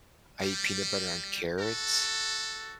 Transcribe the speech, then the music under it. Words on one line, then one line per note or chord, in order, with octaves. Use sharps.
I eat peanut butter on carrots,
G3
F#4 A4